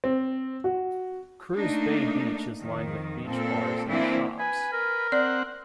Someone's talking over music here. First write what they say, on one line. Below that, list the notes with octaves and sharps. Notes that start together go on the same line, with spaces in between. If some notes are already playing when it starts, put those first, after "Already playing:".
Cruz Bay beach is lined with beach bars and shops.
C4
F#4
A3 A#3 D4 D#4
F2 D#3
A#2 C4 A4
E3 A#3 C4 D4 E4
B4 G#5
A#4
C4 D5 F#5